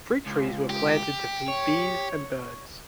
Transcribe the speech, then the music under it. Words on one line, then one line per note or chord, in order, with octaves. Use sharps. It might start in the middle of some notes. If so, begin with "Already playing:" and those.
Fruit trees were planted to feed bees and birds.
C#2
G4
C#5